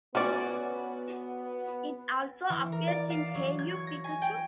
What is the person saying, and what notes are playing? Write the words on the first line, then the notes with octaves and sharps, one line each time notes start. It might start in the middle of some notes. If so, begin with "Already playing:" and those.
It also appears in Hey You, Pikachu!
B3 C#4 F#4 C#5 D5
E3
A#4
D5
F5
F#3
G#6
C#6
A#6
G#5
G5